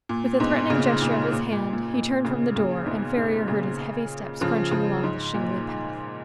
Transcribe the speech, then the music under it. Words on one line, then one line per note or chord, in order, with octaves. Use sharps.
With a threatening gesture of his hand, he turned from the door, and Ferrier heard his heavy step scrunching along the shingly path.
A#2
G#2 B2
A#2 C#3
A#2
A#2
A#2
A#2
A#2
A#2 C#3
A#2 C#3
G#2 B2
G#2 B2
A#2 C#3
C#3 F3
C#3 F3
G#2
A#2